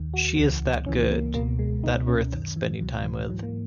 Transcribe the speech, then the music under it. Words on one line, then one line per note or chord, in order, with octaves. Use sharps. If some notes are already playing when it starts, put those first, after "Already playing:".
She is that good, that worth spending time with.
Already playing: D#2 D#3
F#4
C#2 C#3 E3
C#2 C#3 E3 C#4
A#3
C#2 B2 A#3
G#3
C#2 B2 D#4
C#4
F#2 D#3
E3
E3
C#2 B2 F#3
E3
G#2 E3 F#3
A#3